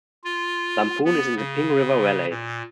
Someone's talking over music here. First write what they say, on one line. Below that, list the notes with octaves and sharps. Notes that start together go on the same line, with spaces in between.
Lamphun is in the Ping River valley.
F4
B3
C#3
A#2